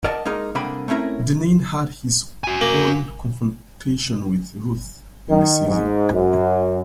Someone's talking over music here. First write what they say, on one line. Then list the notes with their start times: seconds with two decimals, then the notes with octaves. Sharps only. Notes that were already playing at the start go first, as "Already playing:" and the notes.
Dinneen had his own confrontation with Ruth in the season.
0.04 A#4 D5 D#5 F#5 A5
0.25 G#3 A#3 D#4 A#4
0.55 C2 D3 A#3 G#4 G5 B5
0.88 A3 C4 C#4 E4 A#4
2.44 F#4 G#5
2.61 A#3
5.30 D#3
5.68 G#2
6.14 F#2